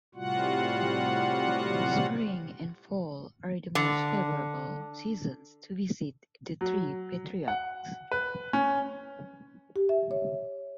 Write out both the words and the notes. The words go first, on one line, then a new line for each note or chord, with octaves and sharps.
Spring and fall are the most favorable seasons to visit th Three Patriarchs.
A2 C3 G3 F4 F#4 F#5
D3
F#3
F#5
B4
C#4
G4
E5
C#5